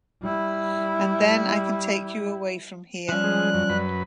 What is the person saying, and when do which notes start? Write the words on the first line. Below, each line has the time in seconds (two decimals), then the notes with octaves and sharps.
And then I can take you away from here.
0.22 G3 E4
3.09 F3 G3 C#4 F#6
3.24 G#3
3.54 F#2
3.69 F#2 B4